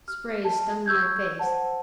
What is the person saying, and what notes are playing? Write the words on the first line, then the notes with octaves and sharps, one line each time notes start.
Spray stung my face.
F6
A5
C#6 E6 G6 G#6
C5 F#5 A5